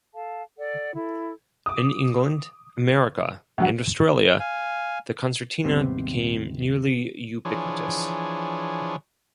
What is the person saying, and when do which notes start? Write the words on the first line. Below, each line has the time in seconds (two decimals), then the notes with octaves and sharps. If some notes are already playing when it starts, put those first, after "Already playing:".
In England, America, and Australia the concertina became nearly ubiquitous.
0.14 A4 F5 A5
0.58 A4 D5 F#5
0.95 E4 A4
1.66 D6 D#6
3.58 D2 F#3 F#5
4.39 F5 G#5
5.64 D#2 G#2 C3 G3 B3 C4
7.45 E3 F3 D4 G#4 C#5